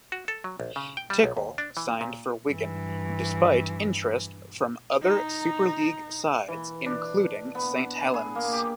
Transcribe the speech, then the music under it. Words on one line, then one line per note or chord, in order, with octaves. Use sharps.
Tickle signed for Wigan despite interest from other Super League sides, including Saint Helens.
F#4
A4
F#3
A#1
C#3
G5
G3
B1
D#2
D4
E3
A#2
G2 E3
D#4 A#5
E3
D4
B3
G#4
A#3
G4